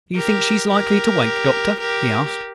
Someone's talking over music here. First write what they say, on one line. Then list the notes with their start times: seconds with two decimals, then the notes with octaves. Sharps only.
"Do you think she is likely to wake, Doctor?" he asked.
0.16 G4 A#4
0.71 G4 A#4
1.81 G4 A#4